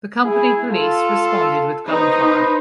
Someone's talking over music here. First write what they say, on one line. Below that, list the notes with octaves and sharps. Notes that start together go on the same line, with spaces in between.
The company police responded with gunfire.
E4 G#4
F4 A4
D#4 B4 C5 D#5